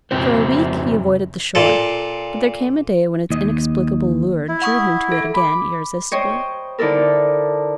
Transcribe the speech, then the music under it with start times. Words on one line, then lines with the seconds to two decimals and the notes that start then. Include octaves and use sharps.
For a week he avoided the shore, but there came a day when its inexplicable lure drew him to it again irresistibly.
0.11 F2 C#3 C4 F#4 C5
1.55 A#2 A4
3.31 D#2 D#5
4.48 E4
4.62 F#5 C#6 D#6
5.12 A4
5.34 B5 D6
6.12 C5 C#5 D#5 G5
6.78 D3 D#4 E4 A4 A#4